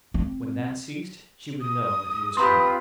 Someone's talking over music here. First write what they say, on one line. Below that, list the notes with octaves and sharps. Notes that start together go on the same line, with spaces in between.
When that ceased she would know that he was come.
C4
D#6
C4 D4 F4 G4 B4 A#5 C6